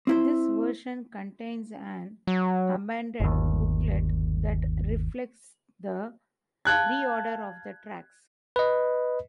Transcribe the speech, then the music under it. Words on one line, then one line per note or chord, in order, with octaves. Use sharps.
This version contains an amended booklet that reflects the reorder of the tracks.
C4 E4 C5
F#3
G1 D#2
F5 A5 F#6 G#6
B4 D#5